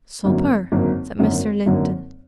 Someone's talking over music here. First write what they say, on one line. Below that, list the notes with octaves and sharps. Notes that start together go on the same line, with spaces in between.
"Supper?" said Mr. Linton.
G#1 F#2 D3 F#3 A#3
G#1 F#2 D3 F#3 A#3
G#1 F#2 D3 F#3 A#3
G#1 F#2 D3 F#3 A#3